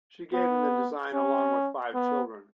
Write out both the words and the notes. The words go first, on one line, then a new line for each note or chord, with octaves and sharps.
She gave him the design, along with five children.
B3
C#4
B3